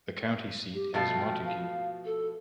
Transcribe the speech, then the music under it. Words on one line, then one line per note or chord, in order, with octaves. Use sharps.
The county seat is Montague.
G4
B2 F3 A3 F5
G5
F5
A4